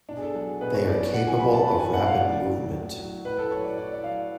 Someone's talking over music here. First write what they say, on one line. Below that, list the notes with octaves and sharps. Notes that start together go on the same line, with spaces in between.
They are capable of rapid movement.
B2 D4
G#4
A4
F#3 G#4
B2 B4
C#5
F#3 D5
B2 F#5
G#5
F#3 B5
A5
B2 B5
G#5
F#3 F#5
F5
A2 D5
F#3
A2
F#3
A2 B4
A4
F#3 C#5
D5
A2 D5
D5
F#3 F5